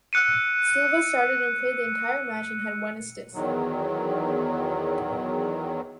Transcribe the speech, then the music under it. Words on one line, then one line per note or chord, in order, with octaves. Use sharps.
Silva started and played the entire match and had one assist.
E6 F#6 C#7 D#7
E2 D#3 F#3